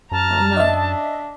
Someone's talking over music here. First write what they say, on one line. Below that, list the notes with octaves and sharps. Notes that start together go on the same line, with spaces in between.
I'm not
F#2 A5 A#5 F6
D4 D#5 E5